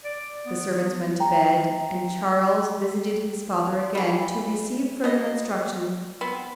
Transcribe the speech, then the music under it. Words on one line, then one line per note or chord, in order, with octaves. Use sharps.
The servants went to bed, and Charles visited his father again, to receive further instructions.
D5
B3
G5 A#5
E3 G3
B2 D#5
B3 C4